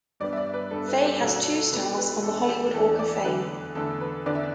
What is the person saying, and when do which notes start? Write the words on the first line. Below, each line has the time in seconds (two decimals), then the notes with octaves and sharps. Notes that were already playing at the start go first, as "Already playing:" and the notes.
Fay has two stars on the Hollywood Walk of Fame.
0.20 G2 G3 B3 D4 D5
0.33 E5
0.37 D5
0.54 B4
0.71 G2 G3 B3 D4 A4
0.88 B4
1.05 G4
1.22 B2 B3 D4 A4
1.39 A4
1.55 A4
1.72 B2 B3 D4 B4
1.98 B4
2.23 E2 E3 A3 D4 A4
2.38 A4
2.49 G4
2.74 E2 E3 A3 D4 A4
2.99 D5
3.24 E2 D3 A3 B4
3.75 E2 D3 A3 A4
4.01 B4
4.26 E2 D3 B3 D4 D5
4.35 E5